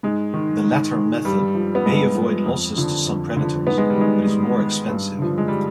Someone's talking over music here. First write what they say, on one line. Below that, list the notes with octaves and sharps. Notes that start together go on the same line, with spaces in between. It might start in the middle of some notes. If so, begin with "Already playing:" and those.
The latter method may avoid losses to some predators, but is more expensive.
G#2 G#3
D#3
G#2
D#3
G2 G3
F3
B3
G2 G#3
F3
F2
D3 F3
F2
D3 F3
G#2 B3
G#3
G3
D#3 G#3
G#2
D#3
G2
D3 F3
G#3
G3